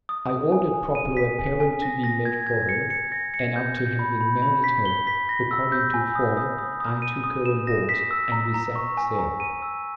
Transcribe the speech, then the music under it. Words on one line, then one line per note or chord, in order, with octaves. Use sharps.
I ordered proper apparel to be made for her; and after having married her, according to form, I took her on board, and we set sail.
D#6
D#6
G#5
G#5
D#7
B6
G#5
G#5
A#6
A#6
G#6
G#6
C#7
C#7
A#6
C#7
G6
G6
B5
B5
B5
B6
G7
B6
A#6
E6
G6
G#5
D#6
D#6
D#6
D#6
D#7
D#6
E7
A#6
B6
E6
A#5
A#5
C#6
G#5
A#5
D#7
E6